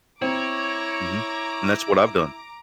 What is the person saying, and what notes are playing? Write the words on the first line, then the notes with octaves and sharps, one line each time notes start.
Mhm. And that's what I've done.
C4 E4 C#5 A#5 D6